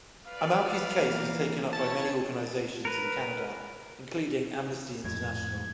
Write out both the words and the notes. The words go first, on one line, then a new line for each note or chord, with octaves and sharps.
Almalki's case was taken up by many organizations in Canada, including Amnesty International.
B4 D5 F5
E3 A#3
C#4 E4 C#5 A5
A#4 B4
F2 A2 G#6